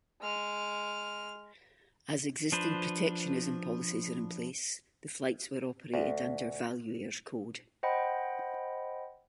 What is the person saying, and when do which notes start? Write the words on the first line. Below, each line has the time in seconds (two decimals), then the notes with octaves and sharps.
As existing protectionism policies are in place, the flights were operated under Valuair's code.
0.21 G#3 F6
2.52 F3 D4 B4 C5
5.94 D2
7.83 C5 D#5 F#5 G5 B5